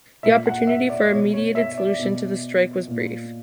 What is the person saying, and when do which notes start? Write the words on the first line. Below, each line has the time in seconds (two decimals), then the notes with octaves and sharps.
The opportunity for a mediated solution to the strike was brief.
0.23 A#2 E5
0.46 F#5
0.67 E5
0.90 D5
1.11 B2 C#5
1.33 C#5
1.55 E5
1.78 D5
1.99 B2
2.87 A#2